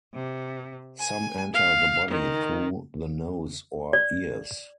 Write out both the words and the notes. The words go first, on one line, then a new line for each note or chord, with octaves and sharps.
Some enter the body through the nose or ears.
C3
G#5
F5
D#3
D5